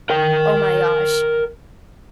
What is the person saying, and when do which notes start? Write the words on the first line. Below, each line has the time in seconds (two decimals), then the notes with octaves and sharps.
Oh my gosh.
0.10 A#4 G5